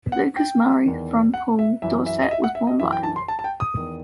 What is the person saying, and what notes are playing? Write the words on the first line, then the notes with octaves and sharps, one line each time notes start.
Lucas Murray, from Poole, Dorset, was born blind.
F#5
G5
E2 D#3
F#5
E5
F#2 E3 E5
E5
D#5
E5
F#5
E5
D#5
F#2 E3 E5
G5
A5
C6
A5
A5
G5
D#6
E2 D#3